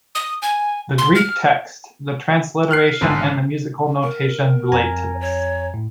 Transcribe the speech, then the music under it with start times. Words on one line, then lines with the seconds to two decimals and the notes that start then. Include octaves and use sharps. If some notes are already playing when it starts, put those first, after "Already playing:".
The Greek text, the transliteration and the musical notation relate to this.
0.15 D#6
0.42 G#5
0.98 C6
1.15 F6
2.71 F6 F#6 C7
3.01 G#1 G#2 D3
4.03 A#4
4.72 F2 G#5 A#5
5.21 C#5
5.74 A2